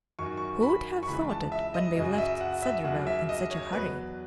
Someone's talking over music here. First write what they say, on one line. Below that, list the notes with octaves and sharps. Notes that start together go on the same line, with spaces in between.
"Who would have thought it when we left Cedarville in such a hurry?"
F#2 D#3 F#3 C#6
C#6
B5
C#6
C#2 C#3 E3 B5
A5
E5
D#5
F#2 C#3 F#3 D#5
D#5
E5
F#5
E5
D#2 C#3 F#3 F#5
E5
D#5
C#5
E2 B2 F#3 B4